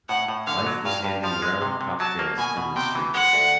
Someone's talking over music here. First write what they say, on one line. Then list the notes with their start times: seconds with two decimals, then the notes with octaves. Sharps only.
Life was handing round cocktails in the street!
0.09 A2 F#5
0.28 A2
0.47 D3 F5
0.67 F#3
0.85 G2 F5
1.04 G2
1.24 F3 F5
1.42 G#3
1.62 C3
1.81 C3
2.00 F#3 A5
2.19 A#3
2.38 B2 G#5
2.57 B2
2.76 C3 G5
2.95 E3
3.14 G#3 F#5
3.33 D2